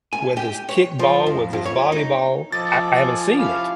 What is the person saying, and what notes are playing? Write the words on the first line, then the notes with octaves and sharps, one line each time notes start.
whether it's kickball, whether it's volleyball, I I haven't seen it.
G#5
G4
C#5
F3
F2
F2
C#5
D#4
F3 A4 D#5 D6 A6
G#5
C#4 E4 G4 F5